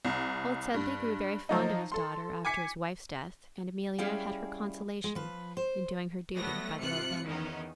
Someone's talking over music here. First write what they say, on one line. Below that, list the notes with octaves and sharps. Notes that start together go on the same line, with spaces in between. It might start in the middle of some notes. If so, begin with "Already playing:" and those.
Old Sedley grew very fond of his daughter after his wife's death, and Amelia had her consolation in doing her duty by the old man.
C2
G2
F3 F#3 D#4
A4 C6
G#5 D6 B6 C#7
G3 C#4 E4 G#4 F5 G5
G#3
F3 B4
C5
F#3 G3 A3 B3 A#6
C2 G#2 C3 F4 F#6 C#7
E2 D#3 B3 C#4 D#4